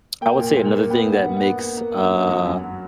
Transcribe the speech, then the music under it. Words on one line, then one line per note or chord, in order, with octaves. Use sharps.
I would say another thing that makes, uh,
A#3 G5
A#2
A#2
A#3
B3 G5
G2
F#5
B3
F#5
B3
A#3 F#5
A#3
G2
G2
F#3
F#2
F#3